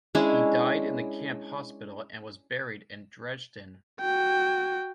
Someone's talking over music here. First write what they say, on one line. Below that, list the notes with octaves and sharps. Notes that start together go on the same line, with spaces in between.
He died in the camp hospital and was buried in Dresden.
G#3 C#4 D4 E4
F#4 G5